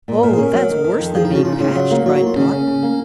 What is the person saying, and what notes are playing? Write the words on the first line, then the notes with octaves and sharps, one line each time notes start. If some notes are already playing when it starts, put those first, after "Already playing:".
"Oh, that's worse than being patched!" cried Trot.
A#2
A#2 A#4
G#4
C#4 A#4
F#3
D#3
D#3
F2
F3 G#4
D#4
C#3 F#4
C#3 F4
D#4
C#3 F4
F#3
A#3
F#3 F#4
F#4
A#3
F4
C#3 C#4
C#3
C#3
A#3